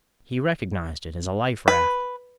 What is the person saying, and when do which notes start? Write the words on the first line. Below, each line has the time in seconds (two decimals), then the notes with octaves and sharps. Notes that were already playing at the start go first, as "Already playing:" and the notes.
He recognized it as a life raft.
1.68 B4